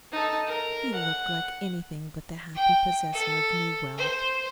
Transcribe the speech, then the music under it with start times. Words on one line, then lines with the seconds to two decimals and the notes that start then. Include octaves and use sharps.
He looked like anything but the happy possessor of new wealth.
0.12 D#4 A4
0.47 A#4
0.95 F#5
2.55 G5
3.13 A4
3.98 C5